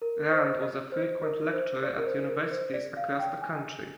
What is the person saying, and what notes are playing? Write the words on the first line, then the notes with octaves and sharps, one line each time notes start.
Rand was a frequent lecturer at universities across the country.
A#4
C5
D#5
C5
A#4
C5
D5
A#4
C5
A#4
C5
D5
F5
G5
G#5